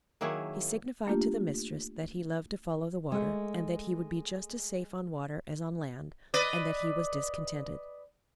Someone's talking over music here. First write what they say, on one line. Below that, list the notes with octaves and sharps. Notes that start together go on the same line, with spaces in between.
He signified to the mistress, that he loved to follow the water, and that he would be just as safe on water as on land, and that he was discontented.
D#3 F#3 A#3 E4 G#4 C#5
A3 A#3 D4 F4 G4
G#3 A3
B4 D5 D#5